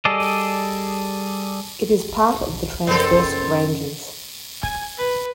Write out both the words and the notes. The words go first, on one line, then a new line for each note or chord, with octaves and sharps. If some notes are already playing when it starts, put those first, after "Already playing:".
It is part of the Transverse Ranges.
G3 G#4 A4 D5 D#5
F#1 B3 C4 A4
G#5
B4